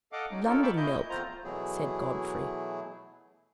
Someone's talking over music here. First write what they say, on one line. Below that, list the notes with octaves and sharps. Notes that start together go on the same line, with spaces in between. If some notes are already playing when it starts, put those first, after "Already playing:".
"London milk!" said Godfrey.
A4 D#5 F5 F#5 D6
C#4 D#4
C#4 D#4 F4 A4 A#4
F5 G5 B5 C#6 D6 E6
A#2 A3 E4 D#5 G6
E2 A3 C4 F4 C5 A#5
B2 E3 F#3 A3 E4 G#4